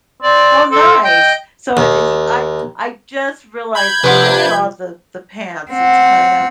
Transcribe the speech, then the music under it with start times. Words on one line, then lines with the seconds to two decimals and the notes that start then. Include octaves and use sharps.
Oh, nice! So I y I I just realized I just saw the the pants, it's kind of
0.23 C4 D5
0.71 C4 A4
1.04 D#5 G5 G6
1.77 D#2
3.75 B5 G6 G#6
4.04 C3 F3 D4 B4 F#5
5.72 C4 F#5